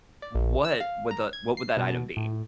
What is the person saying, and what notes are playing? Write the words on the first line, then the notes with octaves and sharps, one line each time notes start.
what would the what would that item be?
D5
A#1
E6
F5
A#5
G#6
C7
B2
A2